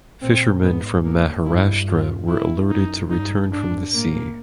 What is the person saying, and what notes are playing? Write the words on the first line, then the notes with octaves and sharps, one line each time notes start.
Fishermen from Maharashtra were alerted to return from the sea.
A#2 C4
G#2 B3
A#3
G2 E4
F4
E4
F#2 D#4
G2 D#4
G#2 D4
A2 A#3